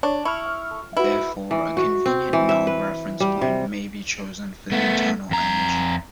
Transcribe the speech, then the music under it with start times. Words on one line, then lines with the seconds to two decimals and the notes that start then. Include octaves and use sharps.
Therefore, a convenient null reference point may be chosen for the internal energy.
0.03 D4 C#5
0.25 E4 C#6 F6
0.97 E4 F#4 B4
1.51 E3
1.77 F#4
2.06 C4
2.33 E3
2.49 E5
2.67 B4
3.20 G3
3.41 C3
4.72 A3 B3
5.31 F2 A#5